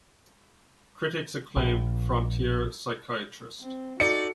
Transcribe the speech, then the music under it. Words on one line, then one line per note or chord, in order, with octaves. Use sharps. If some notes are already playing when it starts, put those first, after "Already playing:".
Critics acclaimed "Frontier Psychiatrist".
A#1
C4
D#4 F#4 A4 D5 C#7